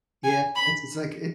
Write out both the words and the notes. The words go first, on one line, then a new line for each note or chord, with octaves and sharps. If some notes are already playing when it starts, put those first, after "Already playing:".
Yeah, it's it's like it's
G#5
B5